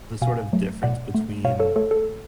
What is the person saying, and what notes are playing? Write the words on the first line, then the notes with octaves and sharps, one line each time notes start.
the sort of difference between
B2 F5 G#5
F#3 A3
B2 D5 F#5
A3
B2 C#5 F5
A4 C#5
A3 A4 C#5
A4